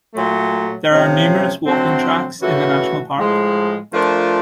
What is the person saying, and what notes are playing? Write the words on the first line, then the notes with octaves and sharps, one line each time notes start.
There are numerous walking tracks in the national park.
A#2 F#3 A3
C3 F3 A3 C#4
D3 F#3 A3 C4
C#3 E3 A3 C#4 F#4
A2 F3 G#3
F3 A3 D4 F4 A#4